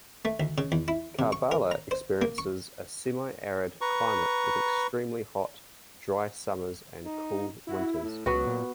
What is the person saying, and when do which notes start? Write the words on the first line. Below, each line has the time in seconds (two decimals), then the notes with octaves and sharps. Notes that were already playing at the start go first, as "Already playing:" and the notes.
Karbala experiences a Semi-arid climate with extremely hot, dry summers and cool winters.
0.25 A3
0.40 D2
0.58 C#3
0.72 E2
0.88 E4
1.19 C3
1.32 C#6
1.52 A#4
1.71 A#5
1.91 C5
2.22 A#3
2.38 C#6
3.81 B4 A#5 C#6
7.04 D#4
7.67 E4 F#4
8.00 A2
8.26 C#2 F#3 B3 F#4
8.47 A#2